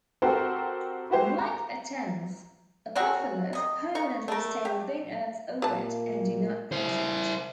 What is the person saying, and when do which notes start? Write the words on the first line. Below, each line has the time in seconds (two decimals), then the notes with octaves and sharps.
Unlike Atens, Apoheles permanently stay within Earth's orbit and do not cross it.
0.22 C4 F#4 G4 A4 A#4 C5
1.10 E4 F#4 G4 C5
1.38 A#5
2.95 F#3 C4 C#4 F#4
3.53 C3 D#5
3.95 D#4 C#6
4.28 A3 A#4
4.65 G4
5.62 A#2 G4 B4 A5
6.72 E4 C5